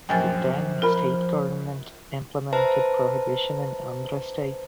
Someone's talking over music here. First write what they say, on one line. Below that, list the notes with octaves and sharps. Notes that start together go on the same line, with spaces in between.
The then state government implemented prohibition in Andhra State.
A#1 F#2 F3 G5 G#5 A6
F4 A#4 B5
B4 C5 E5 A5 A#5